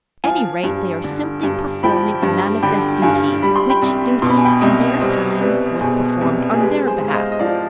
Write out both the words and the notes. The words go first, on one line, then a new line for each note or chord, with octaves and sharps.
At any rate, they are simply performing a manifest duty, which duty, in their time, was performed on their behalf.
F3 F5 G#5
G2
D3
G2
F3 G5 B5
G2
D3 G5 B5
G2 F5 G#5
G3 B5
C6
G5 B5
C2
B2 C6
B5
G#5
G5 B5
C2 D#5 G5
G3 C5 D#5
C2 B4 D5
B2 G#4 C5
C2
G#4
G#3 G4 B4
G#4 C5
G#2
F5
C5 D#5
D#5
F3 D5 F5